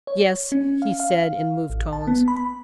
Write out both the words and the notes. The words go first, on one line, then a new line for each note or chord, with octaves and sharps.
"Yes," he said, in moved tones.
C#5
C#4
F5
F5
A1
A5
B3
B5